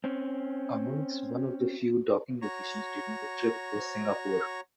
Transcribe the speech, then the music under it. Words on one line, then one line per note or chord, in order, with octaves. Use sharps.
Amongst one of the few docking locations during the trip was Singapore.
C4 C#4
F#4 C#5 A#5 C#6